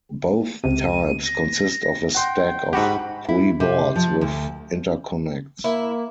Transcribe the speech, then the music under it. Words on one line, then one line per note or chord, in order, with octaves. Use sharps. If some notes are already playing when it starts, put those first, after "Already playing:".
Both types consist of a stack of three boards, with interconnects.
C#2 C3 D#7
A#6
F#5 G5 C6
G#2 F#4 G4 F#5 B5
E4
C3
F3
D2
A#3 E4